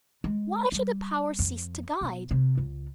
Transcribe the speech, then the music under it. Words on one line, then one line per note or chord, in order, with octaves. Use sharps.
Why should the Power cease to guide?
G#3
G3
F2
B2
C3
C#2